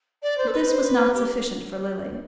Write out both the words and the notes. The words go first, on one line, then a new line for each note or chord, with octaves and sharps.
But this was not sufficient for Lily.
D5
C5
A4
B4
C5
B4
G4